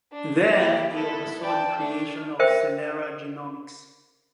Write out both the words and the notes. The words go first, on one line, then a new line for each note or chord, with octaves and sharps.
There he oversaw the creation of Celera Genomics.
D4
A#3 E4 G4
B3 E4 A4
D5 G5 A5
A3 D4
A#4 C5 E5 G5